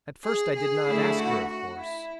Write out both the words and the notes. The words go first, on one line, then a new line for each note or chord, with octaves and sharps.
At first I did not ask her, of course.
G#4
G#4
D3 A3 E4
F#4
F#4
E4